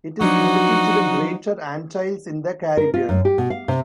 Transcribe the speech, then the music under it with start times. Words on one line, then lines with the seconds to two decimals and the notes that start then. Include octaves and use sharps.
It is native to the Greater Antilles in the Caribbean.
0.20 F3 F#3 D4 D#4 F#4
2.77 A#4
2.94 F4
3.09 F#2
3.25 G4
3.38 B2
3.50 F5
3.68 C3